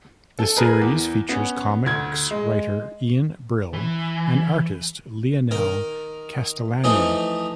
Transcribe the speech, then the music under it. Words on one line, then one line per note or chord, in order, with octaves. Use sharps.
The series featured comics writer Ian Brill, and artist Leonel Castellani.
A4
G#4 A#4 B4
E2
B3 C#4
D2 G#6
G#3
E3
D#3 A#4
E3 F3 A3 D#4 D#5